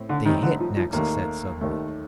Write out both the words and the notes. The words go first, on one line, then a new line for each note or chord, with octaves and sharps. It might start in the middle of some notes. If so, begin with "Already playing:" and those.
"They hit!" Naxa said suddenly.
Already playing: A2 C4
D3
A2 D#3 G3 C4 D#4
D3
F3
F3
D#2 D#3 A3 A#3
D#2 D#3 A3